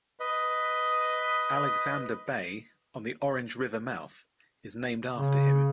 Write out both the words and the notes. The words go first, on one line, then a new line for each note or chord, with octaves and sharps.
Alexander Bay on the Orange River mouth, is named after him.
B4 D#5
C#3